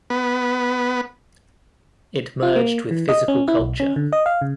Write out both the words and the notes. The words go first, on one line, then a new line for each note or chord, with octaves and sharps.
It merged with "Physical Culture".
B3
F4
A#3
E3
D#5
C#4
E4
B1
C#4
D3
D#5
F5
C#3